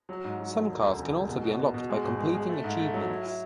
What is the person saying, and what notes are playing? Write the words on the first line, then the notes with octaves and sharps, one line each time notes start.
Some cars can also be unlocked by completing achievements.
F#3
G#2
F#3
F#3
E1
D2
C#3
E1
B2
B2
B2
B2
G#3
G#1
G#3
G#3
A3
G#2
A3
F#3
E4
E4